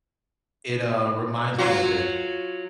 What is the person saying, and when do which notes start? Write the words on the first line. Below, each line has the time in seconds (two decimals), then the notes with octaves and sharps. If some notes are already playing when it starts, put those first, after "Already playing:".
It, uh, reminds me a bit
1.58 F#3 F4 F#4